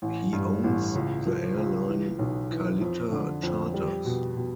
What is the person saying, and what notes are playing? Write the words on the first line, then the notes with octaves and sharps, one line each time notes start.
He owns the airline Kalitta Charters.
A1
G2
A1
C#2
F3
C#2
E3
B1
E3
F2
D3
F2
G3
B2
B2